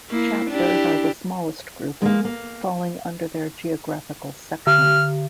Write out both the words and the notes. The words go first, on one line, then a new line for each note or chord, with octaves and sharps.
Chapters are the smallest grouping, falling under their geographical "sections".
A#3 E4
D4 E4 G4
G#3 A#3
A#3
D3 F6